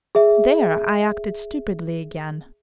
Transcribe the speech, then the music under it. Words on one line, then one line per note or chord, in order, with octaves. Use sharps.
There I acted stupidly again.
G#4 E5